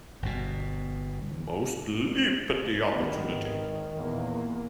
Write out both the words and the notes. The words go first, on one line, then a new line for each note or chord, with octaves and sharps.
Most leap at the opportunity.
G1 B2
D2 D#3 B3
G#1
E2 A#2 A#3